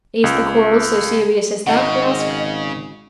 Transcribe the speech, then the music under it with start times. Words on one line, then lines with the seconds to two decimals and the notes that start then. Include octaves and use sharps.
"Is the quarrel so serious as that?" he asked.
0.24 C#2
1.67 G#1 C#3 D#5 F#5